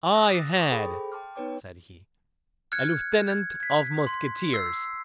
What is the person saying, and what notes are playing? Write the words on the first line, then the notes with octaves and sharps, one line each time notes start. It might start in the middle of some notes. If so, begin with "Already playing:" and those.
"I had," said he, "a lieutenant of musketeers!"
D#6 E6 F#6 A#6
D6 A6 A#6
C#6 D#6 A6
G#4 A4 C5 G5 B5 D6
G5 A5 C6 D6 F6
B3 D#4 B4 C#5 G5 D6
F6 F#6 G#6 C#7
G#6
G#6 B6
C6
E6 C7